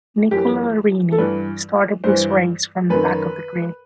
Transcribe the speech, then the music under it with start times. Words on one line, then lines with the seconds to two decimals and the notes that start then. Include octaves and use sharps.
Nicola Larini started this race from the back of the grid.
0.31 F#2 E3 G4
1.12 A4
1.18 G2 E3 B4
2.04 G2 E3 C5
2.90 F#2 D#3 B4